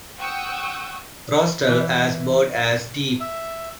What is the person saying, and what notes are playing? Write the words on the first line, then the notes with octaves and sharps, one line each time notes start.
Rostral as broad as deep.
F#5 G5 C#6 D#6 E6 G6
E3
E5